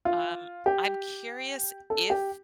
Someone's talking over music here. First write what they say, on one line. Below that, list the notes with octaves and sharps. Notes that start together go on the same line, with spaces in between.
Um, I'm curious if
F4
G4
A4
G4